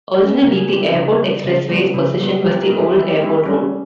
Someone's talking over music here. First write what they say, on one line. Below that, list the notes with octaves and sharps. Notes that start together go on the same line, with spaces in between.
Originally, the Airport Expressway's position was the old airport road.
G#3 C#4
C#3 A#4
G#4
G3 B3 G4
E4
C#3 D#4
G3 B3
C#3
G3 B3
C#3 E4
G3 B3
E3 G4
A#4
G#3 B3
G4
E3 E4
G4
G#3 B3 E4
G3 C#4